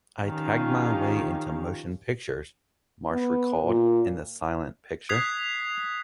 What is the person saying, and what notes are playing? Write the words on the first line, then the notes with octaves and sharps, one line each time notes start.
"I tagged my way into motion pictures," Marsh recalled in "The Silent Picture".
D#3 F3 C#4 G4 F5
B3
A#2
D#6 F#6 G#6 B6 C7 F7